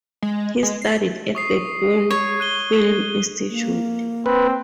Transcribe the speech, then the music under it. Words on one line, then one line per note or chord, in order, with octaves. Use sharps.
He studied at the Pune Film Institute.
G#3
G#3
C7
C#6 D#6 C7
C#5
F#6 D#7 G7
A#3
C4 B4